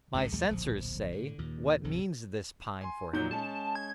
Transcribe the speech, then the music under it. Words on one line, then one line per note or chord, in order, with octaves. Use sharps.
'My censors say, 'What means this pine for him?
F#1 C#2 B2 D3
A#1 D#2 G3 A3
D1 A#1 F3
A2 D3
D#2 A#2
A#1 F2 C#3 F3
G#5 C6
A#2 F#3 D#4 G6
G#3 C#4 A5
G#6